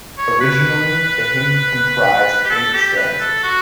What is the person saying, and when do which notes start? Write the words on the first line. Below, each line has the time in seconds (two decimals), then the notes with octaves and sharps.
Originally the hymn comprised eight stanzas.
0.18 C#5
0.41 B4
2.45 G4
2.50 A4
2.74 G4
2.97 B4
3.20 A4
3.43 F#4